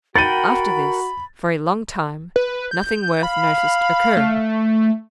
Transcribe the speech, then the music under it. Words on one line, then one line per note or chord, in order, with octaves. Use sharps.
After this, for a long time, nothing worth noticing occurred.
F#4 A#4 F#5 G5 B5 A6 D#7
B4
G6
F5 B5
A3